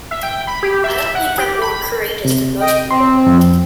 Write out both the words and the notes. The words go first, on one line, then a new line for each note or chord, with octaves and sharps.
I don't think I'm more courageous than most people.
E5
G5
B5
G4
E5
F#5
G4
B5
C3
D#5 G5
C4 C6
F2